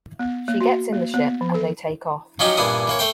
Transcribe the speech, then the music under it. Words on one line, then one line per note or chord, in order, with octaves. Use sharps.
She gets in the ship, and they take off.
B3
A#3
F#4
A#3
B3
F3
A4
F3 F#3 C#4 D#4 F#4 G4
G2 A#2 E3 B3 D4 D#6
E3 A#3 C#5
A3 C5 G5